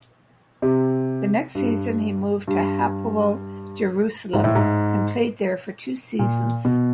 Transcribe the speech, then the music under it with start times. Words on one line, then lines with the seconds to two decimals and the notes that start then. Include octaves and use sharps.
The next season, he moved to Hapoel Jerusalem and played there for two seasons.
0.62 C3
1.55 G2
2.48 G2
4.33 G#2
4.44 A2
4.55 G#2
6.19 A#2
6.65 B2